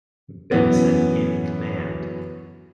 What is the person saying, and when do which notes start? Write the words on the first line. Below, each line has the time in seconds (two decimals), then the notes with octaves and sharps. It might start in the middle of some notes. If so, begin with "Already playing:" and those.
Benson in command.
0.52 F#2 E3 B3